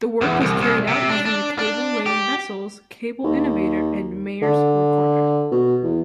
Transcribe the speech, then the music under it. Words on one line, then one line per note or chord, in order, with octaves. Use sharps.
The work was carried out using the cable-laying vessels "Cable Innovator" and "Maersk Recorder".
E2
C2
C2
C3
D4
D4
D4
G4
D#2
D3
B2
E2